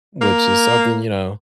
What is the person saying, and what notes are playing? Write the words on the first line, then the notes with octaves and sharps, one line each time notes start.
which is something, you know,
A#3